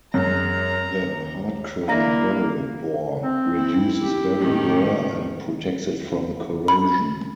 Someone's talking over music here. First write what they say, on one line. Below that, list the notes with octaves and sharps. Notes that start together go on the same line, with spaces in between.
The hard-chromed barrel bore reduces barrel wear and protects it from corrosion.
F#2 G#3 A#5
D#2
A#3 D4 E4 F5 A#5 A#6
C4
E4
G4
A2 D#3 C#4
B5